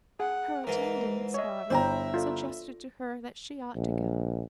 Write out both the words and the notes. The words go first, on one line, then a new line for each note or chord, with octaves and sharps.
Her attendants, however, suggested to her that she ought to go.
G#4 F#5
G#2 E3 A#4
C#5 D#5 E5
G1 E4 C5 G5 A#5
F4 A4 D5
A#1